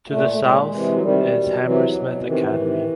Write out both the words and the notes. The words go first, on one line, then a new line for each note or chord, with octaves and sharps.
To the south is Hammersmith Academy.
A#2 A3
A3
A#2 G#3
C3 E3
F#3
C3 D#3 G3
B2
C3 E3 F#3
B2
C3 D#3 E3
C3 D#3